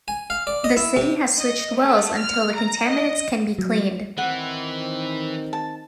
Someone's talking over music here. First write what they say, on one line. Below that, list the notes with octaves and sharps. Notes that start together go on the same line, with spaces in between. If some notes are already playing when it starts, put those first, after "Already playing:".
The city has switched wells until the contaminants can be cleaned.
G#5
F5
D5
D#5
E4
C3
D#5
A3
F6
A#5
D#5
F#3
D#3 E3 C4 F#5
A5